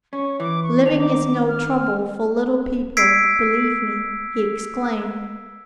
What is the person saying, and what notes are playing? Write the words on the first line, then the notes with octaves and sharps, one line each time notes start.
"Living is no trouble for little people, believe me!" he exclaimed.
C#4 C#6
E3 D6
C#6
D#3 D4 D#4 F7
D6
F6
E6 G#6 B6 C7 D7